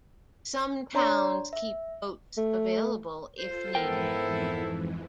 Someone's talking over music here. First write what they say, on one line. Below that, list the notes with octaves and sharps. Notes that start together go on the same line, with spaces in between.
Some towns keep boats available if needed.
D4 C#5 D5 A#5 C6
E5
A3
F4 A4 C5
F2 G#2 E3 B3 E4 A4 A#4 G5